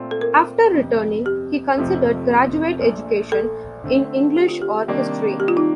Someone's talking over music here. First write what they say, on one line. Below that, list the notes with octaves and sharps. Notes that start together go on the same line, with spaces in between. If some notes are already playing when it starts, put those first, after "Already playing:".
After returning, he considered graduate education in English or History.
Already playing: A#2 A3 C4 F4
A4
A#4
G1 F2 C3
G4
F1 F2 C3 F3 A3
A#1 A#2 A3
A4
D3 A3 C4
G4
F4
G4
C3 D#3 G3 A#3 D4
G4
F4
D#4